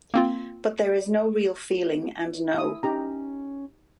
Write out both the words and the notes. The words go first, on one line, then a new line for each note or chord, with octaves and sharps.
But there is no real feeling and no.
A#3 C4 F4
E4 D#6
C#4 D#4 G4 A#5